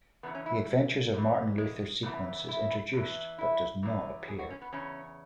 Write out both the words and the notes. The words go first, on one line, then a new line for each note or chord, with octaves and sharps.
"The Adventures of Martin Luther" sequence is introduced but does not appear.
E2 C#3 E3 B3
C#4
E4
F#2 E3
G#3
E2 C#3 E3
E4
E2 E3
E4
F#2 E3
G#4
F#4
C#4
B3
E2 C#3 C#4